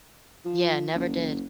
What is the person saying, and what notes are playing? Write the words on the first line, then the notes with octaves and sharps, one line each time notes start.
Yeah, never did.
F3
F#1